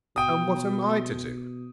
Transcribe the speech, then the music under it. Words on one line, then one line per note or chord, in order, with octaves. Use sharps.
'And what am I to do?'
B2 G5 D#6